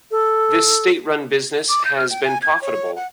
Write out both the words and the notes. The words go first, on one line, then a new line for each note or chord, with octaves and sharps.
This state-run business has been profitable.
A4
D6
G6
F6
G5
G#5
G#6
C#5
F#5